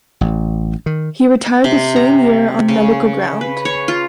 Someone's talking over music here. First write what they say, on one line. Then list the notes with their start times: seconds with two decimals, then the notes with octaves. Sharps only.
He retired that same year on medical ground.
0.21 A1
0.86 D#3
1.46 D6
1.64 C3
1.96 A#5
2.68 C#3
3.41 B4
3.65 C#5
3.88 F4